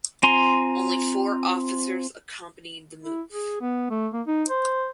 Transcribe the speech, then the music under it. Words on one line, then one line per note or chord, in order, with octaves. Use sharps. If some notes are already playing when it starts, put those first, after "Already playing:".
Only four officers accompanied the move.
C4 F4 G#5 A#5 C6
E4
G#4
B3
A3
A#3
D#4
C5